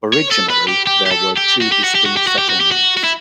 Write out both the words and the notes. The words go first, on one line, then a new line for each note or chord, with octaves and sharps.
Originally, there were two distinct settlements.
C#5
A4
B4
G4
G4
G4
A4
G4
F#4
G4
F#4
G4
F#4
G4
F#4
G4
F#4
G4
F#4
F#4
E4